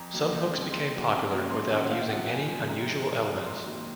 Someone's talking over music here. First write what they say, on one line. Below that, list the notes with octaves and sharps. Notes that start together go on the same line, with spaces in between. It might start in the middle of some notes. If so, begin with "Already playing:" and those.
Some hooks become popular without using any unusual elements.
Already playing: F2 A#5
D#3 F#3 A#3
C#2
C#3 G#3 C4
D#2 C6
C#3 F#3
C3
F#3 A#3 C#4
G#2 C6
D#3 A#3 C#4 F#5
C#2 F5
C3 F3 F#5
D#2 G#5
C#3 F3
C3 A#5
F3 G#3
F#2
F3 C4
G#2 C6
D#3 F#3 A#3